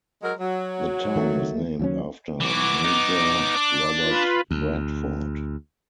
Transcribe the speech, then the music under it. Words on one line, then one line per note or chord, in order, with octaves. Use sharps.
The town is named after Major Robert Bradford.
F#3 G#3 A#4
F#3
D#3 A3
D#2 F#3 C#4
E3 F#4 D6
B3 D#4
D4
F4 B4
D2